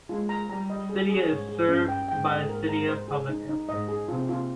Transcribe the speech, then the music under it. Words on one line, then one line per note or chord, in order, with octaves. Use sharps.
Sitia is served by the Sitia Public Airport.
G#3 F4
A#5
G3 A#5
D#5
G#4
G#4
G#2 C#5
G#4
G2 C#4
G5
G#2 G5
D#5
A#4
A#5
C5
G#4
D#4
D#4
G#2 D#5
G#4
C3 F4
F4